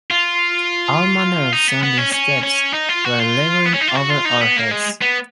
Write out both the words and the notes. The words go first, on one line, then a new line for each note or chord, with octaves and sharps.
All manner of sounding steps were labouring over our heads.
F4
D#4
B3
B3
C#4
C#4
C#4
D#4
F4
F#4
F4
B3
C#4
D#4
F4
F#4
F4
D#4
B3
A#3
G#3
B3